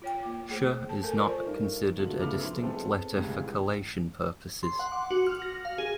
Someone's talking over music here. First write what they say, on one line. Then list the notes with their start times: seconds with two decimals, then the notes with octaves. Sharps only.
"Sh" is not considered a distinct letter for collation purposes.
0.02 F4 C#5 G5
0.23 A#3 D6
0.49 A3 G#4 C5
0.89 A5
1.03 A4 A#4 G#5 A5
1.16 F4 A#4 C5 D5 C#6
1.46 G2 D#4 A#4
1.97 D3 G#3 A3 F4 F#4 F#7
2.20 C#3 A3 B3 D6 F6 F7
2.43 F3 E4 C6
2.63 G#3 B3 C4 A4
3.15 G1 C#2 A2 C3 G#3 G#6
4.63 C6
4.79 F#5
4.92 D6
5.11 F#4
5.27 F6
5.42 A#6
5.65 F5
5.78 G#4